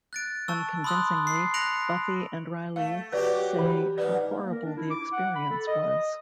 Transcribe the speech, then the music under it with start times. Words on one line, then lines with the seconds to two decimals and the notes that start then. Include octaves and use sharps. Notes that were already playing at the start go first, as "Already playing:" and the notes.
Unconvincingly, Buffy and Riley say how horrible the experience was.
0.13 F#6 A6 D7
0.48 A5 C#6 E6
0.84 B5 C6 D#6 E6 F#6
1.27 C7
1.54 F#6 A#6 C#7 D7 F7 F#7
2.76 A3 F5
3.12 F#3 F#4 G4 B4 D5
3.59 E3
3.98 G#2 B3 B4 D5
4.38 A#3
4.52 A#4
4.65 D4
4.77 E4
4.90 D6
5.13 F#5
5.35 B5
5.50 A4
5.67 D#5
5.83 D#5